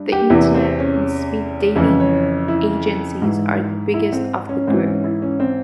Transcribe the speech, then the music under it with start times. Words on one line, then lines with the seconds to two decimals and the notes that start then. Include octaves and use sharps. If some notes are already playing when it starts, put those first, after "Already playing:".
The internet and speed dating agencies are the biggest of the group.
Already playing: G2
0.12 G4
0.30 E2 C3 E3 E4
0.55 C4
0.79 C#4
1.76 F2 C#3 E3 E4
2.00 C#5
2.48 E4
3.22 G#2 E3
3.94 E4
4.13 C4
4.49 C#4
4.67 G#2 E3 C4
4.85 C#4
5.04 E4
5.22 C#4
5.40 C4